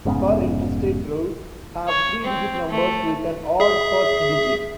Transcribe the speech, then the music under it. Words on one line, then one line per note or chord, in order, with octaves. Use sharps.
Spur Interstate routes have three-digit numbers with an odd first digit.
F1 G#2 C#3 B3
C#5
C4
A3
G#4 E5